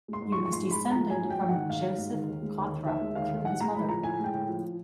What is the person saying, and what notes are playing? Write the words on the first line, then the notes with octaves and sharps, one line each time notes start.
He was descended from Joseph Cawthra through his mother.
G#3 C6
G#2
C#6
F3
C#6
G#2 C6
G#3 B5
G#2
F3 A#5
G#2 G#5
F#3
G5
G#2
F#5
D#3
G#2 F5
F#3
G#2
D#3
D#2
G#3
D#2
D#3
D#2 E5
G#3
D#2 F5
D#3
A2 F#5
G#3 A#5
A2 B5
F3 A#5
A2 G#5
G#3 G5
A2
F3